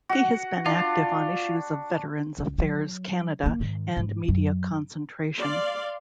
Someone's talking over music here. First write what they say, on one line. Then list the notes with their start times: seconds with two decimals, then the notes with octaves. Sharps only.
He has been active on issues of Veterans Affairs Canada and media concentration.
0.09 F#4 F#5
0.66 D4 F4
2.39 C#2
2.58 F#3
3.43 D3 A#3
3.60 G#2 D#3
3.97 G#2
4.28 F#2
5.38 D5 F5 C6